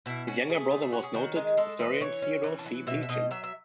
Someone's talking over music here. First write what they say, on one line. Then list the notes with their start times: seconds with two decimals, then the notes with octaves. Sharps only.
His younger brother was noted historian Theodore C. Blegen.
0.06 B2 E4
0.27 C#4 F#4
0.50 A3 G#4
0.71 A3
0.82 G#4
0.92 C#4 F#4
1.04 G#4
1.14 D#3 F#4
1.35 G#3 G#4
1.57 G#3 A4
1.79 E3 B4
2.00 E3 C#5
2.22 C#4
2.44 E3
2.59 A5
2.66 F#3 G#5
2.87 B2 E5
3.03 E5
3.09 B2 D#5
3.31 F#3 E5
3.44 E5